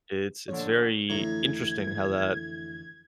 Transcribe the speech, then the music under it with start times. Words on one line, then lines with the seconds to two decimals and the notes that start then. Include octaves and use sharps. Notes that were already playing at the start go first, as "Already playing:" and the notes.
it's it's very interesting how that
0.48 A#2 D3 F3 C#5
1.10 F2 A2 D3 E3 A#5 G#6